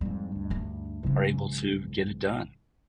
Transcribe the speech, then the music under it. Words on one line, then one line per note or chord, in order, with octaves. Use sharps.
are able to get it done.
F2 G#2 G3
D2 G2
D4 D#4
B1 G#2 C#3 E3 C#4